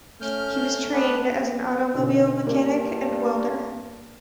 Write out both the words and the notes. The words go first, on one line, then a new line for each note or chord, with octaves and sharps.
He was trained as an automobile mechanic and welder.
A3 C#4 F6 G6
B3 D4 B4
B2 D3 C#4
G2 A#3 A#4